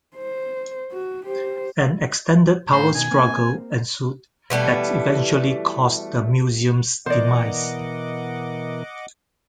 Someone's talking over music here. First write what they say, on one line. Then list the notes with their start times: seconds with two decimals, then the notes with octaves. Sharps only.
An extended power struggle ensued that eventually caused the museum's demise.
0.16 C5
0.92 F#4
1.26 G4 C5
2.73 A2 C5 A#5 B5
2.95 B2 D#3 D#4 G#5
3.11 A#3 C4
4.50 B2 E3 G3 A3
7.06 B2 E3 A#4 C5 D5 D#5 F#5 D6